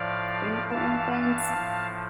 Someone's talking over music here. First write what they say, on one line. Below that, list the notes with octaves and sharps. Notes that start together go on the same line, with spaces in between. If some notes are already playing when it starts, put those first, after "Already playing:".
during important events?
Already playing: A2 F3 D5 F5
G2 E3 F5 A5
F5 A5
A2 F3